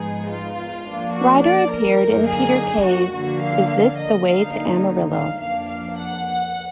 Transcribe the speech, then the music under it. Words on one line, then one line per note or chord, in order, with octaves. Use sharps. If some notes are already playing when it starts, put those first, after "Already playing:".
Ryder appeared in Peter Kay's Is This the Way to Amarillo?
Already playing: G#2 F3 G#3 B3 D#4 G#4
F4
F2 F3 A#3 D4
F#4
D5
A#4
F#2 D3 F#3 A#3 D#4
G#4
F#4
D3 F3 A#3 F#4
F5
F5
D#5
D3 F#3 A#3 D#4 F5
F5
F2 F3 A#3 D4 F5
F5
F#5